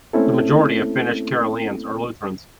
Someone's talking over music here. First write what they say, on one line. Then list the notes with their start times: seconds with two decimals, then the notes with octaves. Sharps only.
The majority of Finnish Karelians are Lutherans.
0.13 A3 A#3 C4 C#4 E4 A4